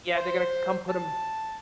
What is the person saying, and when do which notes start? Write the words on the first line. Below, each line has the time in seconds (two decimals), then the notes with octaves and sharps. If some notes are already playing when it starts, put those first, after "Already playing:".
Yeah, they're gonna come put him
0.16 C5
0.89 A5